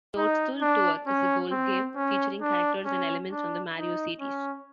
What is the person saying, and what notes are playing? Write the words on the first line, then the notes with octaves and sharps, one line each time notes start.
"Toadstool Tour" is a golf game featuring characters and elements from the "Mario" series.
D#4
D4
C#4
C4
C#4
D4
C#4
D4
D#4
C#4